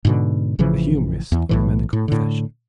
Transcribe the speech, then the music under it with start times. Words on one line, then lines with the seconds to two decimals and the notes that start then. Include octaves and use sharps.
The humorist of the medical profession.
0.05 G#2 B2 D3
0.59 A1 C#3 E3 F3
1.32 E2
1.49 B1 A2 E3
1.93 A2
2.08 A2 D3